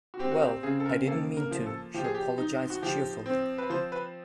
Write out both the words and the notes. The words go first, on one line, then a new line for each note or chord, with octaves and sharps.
"Well, I didn't mean to," she apologized cheerfully.
F#4
C4 G4
F#4
G4
C#3 G#4
A4
A#4
A#3 A4
A#4
F3
A4
F3 G4
G#4
G4
D#4
F#4
F3 G4
C4
B4
F3 C5
B4